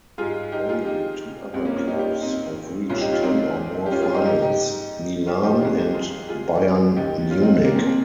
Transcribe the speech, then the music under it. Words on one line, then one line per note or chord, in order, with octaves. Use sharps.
Only two other clubs have reached ten or more finals: Milan and Bayern Munich.
G#2 G3 F4 G#4
D#4 G4
F4 G#4
D#4 G4
C#2 C#3 G3 C4
A#3 C#4
C#4 F4
D#4 G4
D#4 G4
C4 D#4
C2 A#2 G3 C#4 F4
D#4 G4
C#4 F4
C4 D#4
G4
C#4 F4
F4 G#4
D#4 G4
G#2 G3 D#4 G4
D#4 G4
C#4 F4
D#4 G4
C2 C3 D#3 G#3 F4 G#4
D#4 G4
F4 G#4
F4 G#4
D#2 D#3 G3 D#4 G4
C#4 F4
C4 D#4
A#3
C4
C4